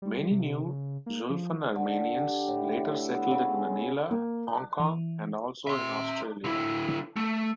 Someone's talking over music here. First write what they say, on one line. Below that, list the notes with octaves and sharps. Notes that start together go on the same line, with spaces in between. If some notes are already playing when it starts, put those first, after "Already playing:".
Many New Julfan Armenians later settled in Manila, Hong Kong, and also in Australia.
G3
C3
C#3
A#3
F3
D3
G5
G4
A2
E5
B3
C#3
G#4
A#3
E3
E5 C6
D3 E4
A3